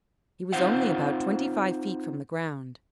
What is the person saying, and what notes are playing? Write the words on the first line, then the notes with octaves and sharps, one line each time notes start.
He was only about twenty-five feet from the ground.
C4 D#4 F4 C5 F5 F#5